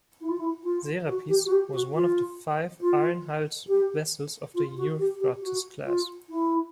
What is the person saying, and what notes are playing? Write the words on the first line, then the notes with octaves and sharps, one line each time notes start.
"Serapis" was one of five iron-hulled vessels of the "Euphrates" class.
E4
F4
E4
F4
F#4
G4
F#4
G4
F#4
F4
F4
G4
F4
F#4
G4
G4
F#4
F4
E4